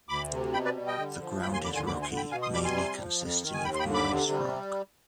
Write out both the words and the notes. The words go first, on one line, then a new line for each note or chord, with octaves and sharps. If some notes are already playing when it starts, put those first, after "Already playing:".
The ground is rocky, mainly consisting of gneiss rock.
D2 B5 D6
C3
B2 G5 B5
B4 D5
G3
D#5 G5
D3
F3
D#2 G5 B5
G#5 C6
D3 B5 D6
G#5 C6
D2 B5 D6
G#5 C6
D3
G5 B5
B2 F5 G#5
C6 D#6
G3 B5 D6
G#5 C6
C3
F3
F2
D#3
G#5
D#2 G5 B5
C6
G5 B5
D3
B5 D6
C3
G3